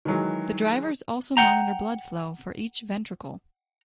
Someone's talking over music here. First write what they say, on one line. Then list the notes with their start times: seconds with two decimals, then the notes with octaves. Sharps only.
The drivers also monitor blood flow for each ventricle.
0.05 D#3 E3 F#3 G#3
1.37 F#5 G5 A#5